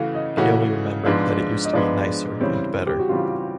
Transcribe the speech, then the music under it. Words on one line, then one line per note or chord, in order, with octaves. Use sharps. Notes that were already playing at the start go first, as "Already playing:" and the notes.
He only remembered that it used to be nicer and better.
Already playing: C#3 E3 A3 C#4 F#4 F5
D#5
C#3 E3 A3 C#4 F#4
G#2 F3 G#3 B3 D4
D#5
G#2 F3 G#3 B3 D4 D5
C#3 E3 G3 C4 C#5
G4
F#4
C#3 E3 G3 C4 F4